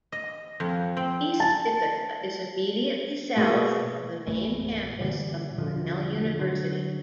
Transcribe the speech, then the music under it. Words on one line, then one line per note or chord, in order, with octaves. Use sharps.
East Ithaca is immediately south of the main campus of Cornell University.
D#5
F2
C4
A5
B2 A#3 G#4
A#1 F#2 E3 A3
A#2 D3 E3 G3
E1 B2 D3 F3
D3 F#3